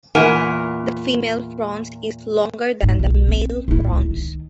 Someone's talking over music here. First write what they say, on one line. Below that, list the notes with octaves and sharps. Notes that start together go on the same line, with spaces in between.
The female frons is longer than the male frons.
E2 A#2 A#4 F#5 G#5
G#2
B1
C4
D1 E4
C#2
D#3